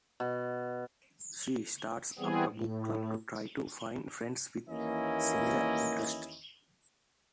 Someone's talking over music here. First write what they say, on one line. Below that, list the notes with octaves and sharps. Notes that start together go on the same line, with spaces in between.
She starts up a book club to try to find friends with similar interests.
B2
E3 G3 B3 C4 G#4
A2
D#2 E3 A#3 C#4 E4 D#5